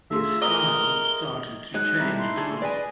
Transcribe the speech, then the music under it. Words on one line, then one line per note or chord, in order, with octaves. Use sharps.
His style started to change as well.
A3 F4 G#4 E5
A#4 D#5 G7
F#3 G#3 D#4 F#6
G3 A3 D#4 E4
C6
D3 G#4 A4
G#4 B4 D5 D#5 G#5